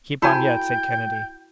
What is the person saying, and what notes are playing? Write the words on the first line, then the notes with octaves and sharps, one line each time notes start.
"Keep on yet," said Kennedy.
E4 F#4 A4 C5 G5 G#5 B5 G6